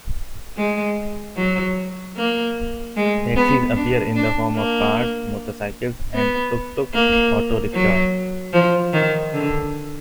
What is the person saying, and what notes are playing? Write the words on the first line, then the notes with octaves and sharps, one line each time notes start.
Taxis appear in the form of cars, motorcycles, and "tuk-tuk" auto rickshaws.
G#3
F#3
A#3
G#3
B3
D4
D4
A#3
B3
A#3
F#3
F3
D#3
D3